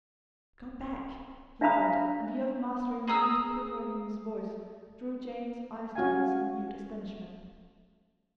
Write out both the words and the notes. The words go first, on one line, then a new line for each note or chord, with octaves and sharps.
"Go back!" he said, and the overmastering need quivering in his voice drew Jane's eyes to his in mute astonishment.
D4 E5 F5 A#5 B5 D#6
G#4 A#5 D#6 E6
C#4 F#4 F5 G#5